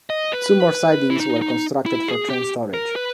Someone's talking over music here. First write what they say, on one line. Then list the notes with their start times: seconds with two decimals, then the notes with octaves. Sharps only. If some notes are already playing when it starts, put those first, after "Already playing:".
Two more sidings were constructed for train storage.
0.10 D#5
0.33 B4
1.10 E4
1.20 D#4
1.42 D#4
1.86 E4
2.08 G#4
2.30 G4
2.74 A#4
2.96 B4